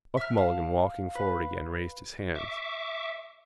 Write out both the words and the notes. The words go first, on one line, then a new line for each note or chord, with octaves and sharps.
Buck Mulligan, walking forward again, raised his hands.
E5 F6
F5 A5
B4
E5 C#6 D6